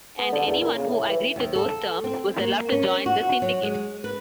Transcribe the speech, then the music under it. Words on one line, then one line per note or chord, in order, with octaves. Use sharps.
And anyone who agreed to those terms was allowed to join the syndicate.
B3
D3
E2
A#2
C#3
A2
E3
D#2
A4
C4
A#3
C#4
F#4
F#3
G#3
B4